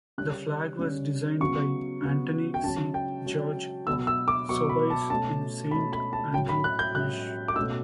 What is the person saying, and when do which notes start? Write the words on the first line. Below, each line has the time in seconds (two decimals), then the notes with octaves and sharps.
The flag was designed by Anthony C. George of Soubise in Saint Andrew Parish.
0.18 C#3 G3 C#4 F#6
0.79 C#3 G3 C#4
1.40 C#3 F#3 B3 C#6
2.02 C#3 F#3 B3
2.54 G5
2.63 C#3 F#3 C#4 A5
2.94 G5
3.26 C#3 F#3 C#4
3.87 B2 F#3 B3 E6
4.07 E6
4.28 D6
4.49 B2 F#3 B3 C#6
4.69 B5
4.90 A5
5.10 B2 A3 C#4 A5
5.71 B2 A3 C#4 B5
5.93 B5
6.13 A5
6.33 A2 F#3 C#4 G5
6.49 B5
6.64 F#6
6.79 G6
6.94 A2 F#3 C#4 F#6
7.48 D6
7.56 B2 A3 C#4 E6